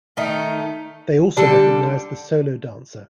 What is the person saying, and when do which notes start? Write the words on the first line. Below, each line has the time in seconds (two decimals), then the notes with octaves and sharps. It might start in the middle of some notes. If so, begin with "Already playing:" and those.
They also recognise the Solo dancer.
0.17 D#3 A3 D#4
1.37 D3 G3 D4 A4